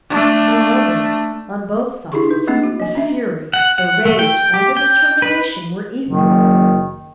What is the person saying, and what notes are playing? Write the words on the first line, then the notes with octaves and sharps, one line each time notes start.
Moreover, on both sides, the fury, the rage, and the determination were equal.
A3 D4
D4 E4 G4 G#4 C6 C#6
D#4 B4
A3 A#3 C4 D4
F#4
D#5 G#5
C#4 D4 E5
F#5
F#5
A3
G5
G4
G5
B4
F#1 D#3